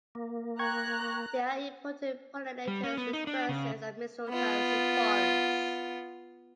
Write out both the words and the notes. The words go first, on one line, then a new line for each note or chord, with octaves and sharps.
They are important pollinators and dispersers of mistletoes in forests.
A#3
G5 A#5 C#6 F#6 G#6
G3
C#4
B3
D#4
D4
C#3
B3 F4